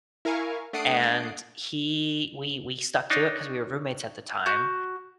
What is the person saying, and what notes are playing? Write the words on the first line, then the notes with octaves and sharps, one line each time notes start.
and he we we stuck to it 'cause we were roommates at the time,
E4 A#4 F5 G#5 C#6
A3 D4 F#5 D#6 C7 D7
D4 D#4 C#5
F#4 G6